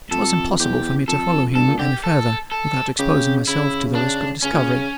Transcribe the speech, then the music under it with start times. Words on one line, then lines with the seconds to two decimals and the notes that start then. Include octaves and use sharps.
It was impossible for me to follow him any further, without exposing myself to the risk of discovery.
0.11 F2 A4
0.59 E2 G4
1.07 F2 A4
1.55 G2 A4
1.67 A#2
1.79 D3 G4
2.04 A4
2.52 A4
2.99 C#3 G4
3.47 C#3 E4
3.95 D4
4.42 C#3 C#4
4.52 A#2
4.60 C#3